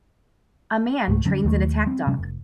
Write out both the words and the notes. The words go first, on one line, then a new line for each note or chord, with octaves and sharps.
A man trains an attack dog.
C#2 G#2 A3
F2 D3 F#3 C#4
D#2 D#3 A3
G3 C4
C3 G3 C#4
F1